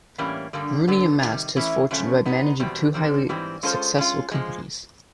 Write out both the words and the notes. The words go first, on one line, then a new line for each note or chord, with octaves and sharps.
Rooney amassed his fortune by managing two highly successful companies.
A2 E3 G3 A#3 C#4
G2 D3 G3 A#3
D3 F#3 B3
C3 D#3 G3
E3 A3 C#4 E4
F#2 C#3 F3 A3 C#4
G#3 B3 D#4
E2 B2 G3 C4
D3 G3 C4
G#2 E3 G3 C4
G#3 C#4 F4 A4 C5
G#3 C#4 F4
A#2 F3 G#3